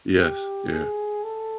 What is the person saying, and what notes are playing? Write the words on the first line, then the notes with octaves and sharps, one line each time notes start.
Yes, yeah.
G4
G#4
A4